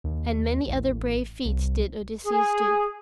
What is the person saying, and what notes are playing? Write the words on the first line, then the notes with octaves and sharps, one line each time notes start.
And many other brave feats did Odysseus do.
D#2
A1
C2
G#4